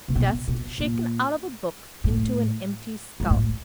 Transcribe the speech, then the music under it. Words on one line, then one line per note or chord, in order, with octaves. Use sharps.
Dust shaken out of a book into an empty skull.
C3
B2
B2
A#2
A2
G#2
A2